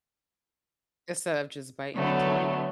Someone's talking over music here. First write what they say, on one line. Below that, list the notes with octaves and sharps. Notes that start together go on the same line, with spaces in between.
Instead of just biting into it.
D3 F#3 A3 B3